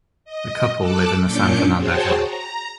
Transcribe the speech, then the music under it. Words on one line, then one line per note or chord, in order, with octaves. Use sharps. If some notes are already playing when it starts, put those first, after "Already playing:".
The couple live in the San Fernando Valley.
D#5
A4 A5 D6 E6 F#6
A#2 C#4 D4 D6 G6 C#7
F#4 G#4 C5 C#5 G5 A5
A#5